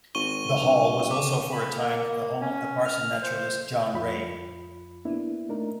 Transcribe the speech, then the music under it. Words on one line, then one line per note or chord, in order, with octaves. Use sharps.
The hall was also for a time the home of the parson-naturalist John Ray.
G#1 C#6 D#7 G7
G2
D6
B5
A#3
C#4
F6
C5
F2 F4 B5
A#3 B3 D4 E4
A3 D4 D#4 A#4